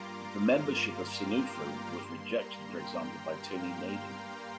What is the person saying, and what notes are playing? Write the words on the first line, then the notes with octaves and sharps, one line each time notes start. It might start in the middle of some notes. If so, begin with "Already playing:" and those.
The membership of Senufo was rejected for example by Tony Naden.
Already playing: G2 G3 A#3 F4 A#5 C6 D6
F5
G5
G2 G3 A#3 C6
A#5
G5
F5